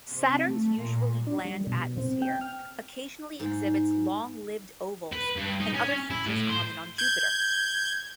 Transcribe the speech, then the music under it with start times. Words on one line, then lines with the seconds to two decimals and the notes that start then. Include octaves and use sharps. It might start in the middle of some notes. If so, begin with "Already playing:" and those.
Saturn's usually bland atmosphere occasionally exhibits long-lived ovals and other features common on Jupiter.
0.11 C3
0.48 A3
0.81 A#2
1.27 D4
1.45 G3
1.67 B2
1.98 C4
2.22 G5
2.41 F6
3.40 G#2
5.12 B4
5.36 G2
5.61 D#4
5.74 C#4
6.10 E4
6.26 A2
6.49 C5
6.98 G6 G#6